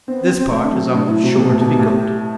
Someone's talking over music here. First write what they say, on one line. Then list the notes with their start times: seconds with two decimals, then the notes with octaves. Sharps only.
This part is almost sure to be good.
0.08 B3 C4
0.23 C4
0.36 C4
0.51 A3 C4
0.65 D4
0.72 F#3 C4
0.94 A2 D4
1.08 A2 E4
1.23 C3 F#4
1.36 B2 G4
1.49 A2
1.58 B2 G4
1.79 A2